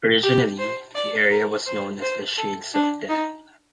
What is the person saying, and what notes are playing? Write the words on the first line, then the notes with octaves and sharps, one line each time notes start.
Originally, the area was known as the "Shades of Death".
G4
C5
D5
A#4
C5
C5
A4
D4
D#4